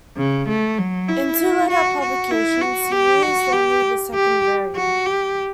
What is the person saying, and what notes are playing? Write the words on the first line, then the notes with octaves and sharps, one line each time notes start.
In two later publications he used only the second variant.
C#3
A3
F#3
E4
F#4
F#4
E4
F#4
G4
F#4
G4
G4
F#4
G4